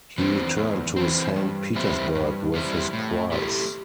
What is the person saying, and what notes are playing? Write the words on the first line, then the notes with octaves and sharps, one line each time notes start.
He returned to Saint Petersburg with his prize.
E3 C4
E2
E3 C4
G2
E3 G3 C4 E4
G2
E3 G3 C4 E4
A2
A3 E4 G4